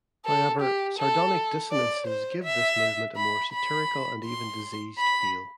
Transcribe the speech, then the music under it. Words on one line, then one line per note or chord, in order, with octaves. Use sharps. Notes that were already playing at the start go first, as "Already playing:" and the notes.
However, sardonic dissonances give this movement a more satirical and even diseased feel.
A4
G4
A4
D5
C5
E5
B5
B5
C6
B5